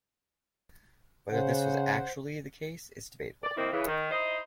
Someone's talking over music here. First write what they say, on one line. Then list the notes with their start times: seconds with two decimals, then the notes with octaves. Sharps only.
Whether this was actually the case is debatable.
1.32 C#3 C5 F#5
3.43 D5
3.56 D#3 F3 A#3 C4 E4
3.72 C#3 E3
3.86 D#3
4.11 D#4 E4 C5 D#5